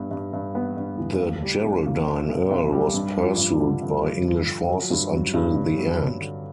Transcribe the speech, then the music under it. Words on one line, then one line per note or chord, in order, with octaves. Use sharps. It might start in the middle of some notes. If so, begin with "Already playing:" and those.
The Geraldine earl was pursued by English forces until the end.
Already playing: G2 B3
G2
G2
B3
G2
E3
A#3
G3
B1
A#3
A#3
B1
B1
G3
G2
F3
G2
D3
G2
D3
F3
D3
F#3
G2
F#3
G2
G2
F#3
G2
D3